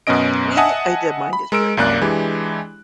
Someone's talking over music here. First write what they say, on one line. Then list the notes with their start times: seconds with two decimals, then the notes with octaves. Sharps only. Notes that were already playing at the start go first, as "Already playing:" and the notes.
we h I the mind is very funny.
0.07 F#2 B2 B3 C#4 D#5 D7
0.57 D#5 E5 F#5 G#5 A5 D#6
1.33 B5
1.52 G#3 A#4 E6 D7
1.77 C2 F#2 A#3 D5 F#6
2.01 E3 G#3 D4 E4 G4